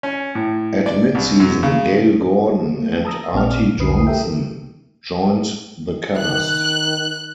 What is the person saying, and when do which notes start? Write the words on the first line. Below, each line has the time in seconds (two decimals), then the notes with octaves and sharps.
At midseason, Gale Gordon and Arte Johnson joined the cast.
0.03 C#4
0.35 A2
0.86 D5
1.15 C2
1.40 F#2
1.63 C#3
2.79 A3 A#3
3.05 A5 A#5 D#6 E6 A#6
3.33 A#1 A#2 C4 D5 F6
3.78 B1 E2 D3 B4 D#6 C7
4.07 G4 A4 A#4 E5 G5
6.18 D#3 F#6